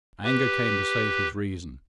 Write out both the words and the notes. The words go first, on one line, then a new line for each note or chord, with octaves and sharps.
Anger came to save his reason.
G4 B4